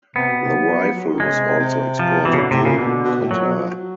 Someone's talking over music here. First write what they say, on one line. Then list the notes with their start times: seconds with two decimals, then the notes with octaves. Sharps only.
The rifle was also exported to Qatar.
0.16 C3 B3
0.28 B2
0.41 C3
0.54 F#3
0.67 F#3
0.81 F3
0.94 F#3
1.07 D#3
1.20 C#3 G#3
1.34 C3
1.46 C3
1.59 C3
1.99 F3
2.25 B2 E3
2.33 C#3
2.38 D3
2.51 A2 C3
2.64 A#2 C#3
2.78 B2 D3
3.03 B2
3.21 A2
3.30 A#2 F#3
3.43 B2
3.57 F3
3.70 F#3